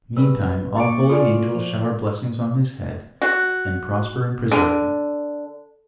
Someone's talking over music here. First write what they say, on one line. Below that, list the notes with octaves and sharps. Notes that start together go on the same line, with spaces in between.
Meantime, all holy angels shower blessings on his head, and prosper and preserve him.'
G3 C#4 B4 E6
A#1
A#3 C#6 D6 A6 C#7 D7
F4 A4 D5 G#5
F3
F#4
D3